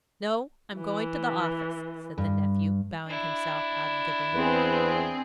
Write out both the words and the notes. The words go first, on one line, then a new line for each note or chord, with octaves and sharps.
"No; I'm going to the office," said the nephew, bowing himself out of the room.
E3
G2
D4 E4
E2 C4 G#4 B4